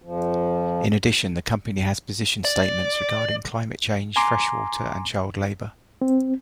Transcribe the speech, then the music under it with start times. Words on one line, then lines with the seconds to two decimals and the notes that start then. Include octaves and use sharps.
In addition, the company has position statements regarding climate change, freshwater and child labour.
0.02 F2 F3
2.45 D5
4.16 G#5 A#5 C6 D6
6.02 C4